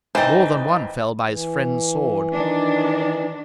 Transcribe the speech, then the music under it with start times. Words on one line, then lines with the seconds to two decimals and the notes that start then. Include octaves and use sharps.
More than one fell by his friend's sword.
0.15 G#1 E3 D#4 C5 D#5 G5 A6
1.28 E3
2.33 D#3 D4